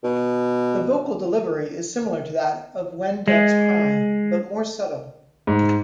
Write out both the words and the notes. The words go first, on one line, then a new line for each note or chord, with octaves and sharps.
The vocal delivery is similar to that of "When Doves Cry", but more subtle.
B2
G#3
G#2